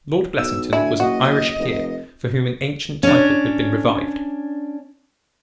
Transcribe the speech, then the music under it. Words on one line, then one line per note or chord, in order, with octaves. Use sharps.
Lord Blessington was an Irish peer for whom an ancient title had been revived.
B1 E6
D2 E4 G#5
F#1 F#4 D#5
F1
C#4 D4